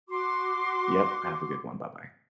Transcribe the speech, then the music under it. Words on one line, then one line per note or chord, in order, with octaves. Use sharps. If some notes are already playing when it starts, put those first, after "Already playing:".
Yep. Have a good one. Bye-bye.
F#4 C6 D6